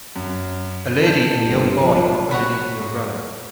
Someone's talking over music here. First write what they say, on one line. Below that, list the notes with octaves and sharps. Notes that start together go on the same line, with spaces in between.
A lady and young boy are underneath the umbrella.
F#2
A5 G6
G1
B1 F3
F#4 C#5 F#5 B5